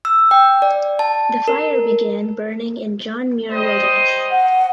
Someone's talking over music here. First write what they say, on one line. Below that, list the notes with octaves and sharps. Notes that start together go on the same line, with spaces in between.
The fire began burning in John Muir Wilderness.
E6
G5
D5
A5
A#4
G3 C5 D#5
F#5